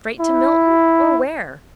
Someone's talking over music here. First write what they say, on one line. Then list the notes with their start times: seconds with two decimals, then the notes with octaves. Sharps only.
Straight to Milton, or where?
0.20 E4